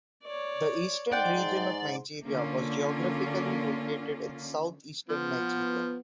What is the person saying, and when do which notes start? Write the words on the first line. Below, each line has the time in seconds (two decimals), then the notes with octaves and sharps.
The Eastern region of Nigeria was geographically located in Southeastern Nigeria.
0.24 C#5 D5
1.12 G#2 D5 F#5 G5 C6
2.25 D3 A#3 C#4 F4
5.09 F3 B3